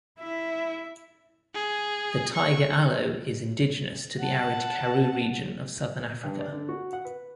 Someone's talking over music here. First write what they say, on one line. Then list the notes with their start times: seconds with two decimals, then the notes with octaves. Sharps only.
The tiger aloe is indigenous to the arid Karoo region of southern Africa.
0.19 E4 E5
1.54 G#4
2.34 C#6
4.19 F#5 A5
6.23 G2
6.39 D5
6.52 D3
6.69 F#4
6.93 F#5
7.05 B4